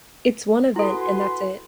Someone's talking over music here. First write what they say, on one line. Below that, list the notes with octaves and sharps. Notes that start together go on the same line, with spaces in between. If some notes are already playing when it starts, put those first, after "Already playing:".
It's one event and that's it.
E4 F#4 A4 B4 G#5 C6